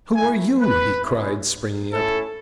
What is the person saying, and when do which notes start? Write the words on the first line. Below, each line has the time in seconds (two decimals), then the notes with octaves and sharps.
"Who are you?" he cried, springing up.
0.15 A3 E4 G#5
0.59 B4
1.03 G#3 C#4 E4
1.92 A3 C#4 E4 A4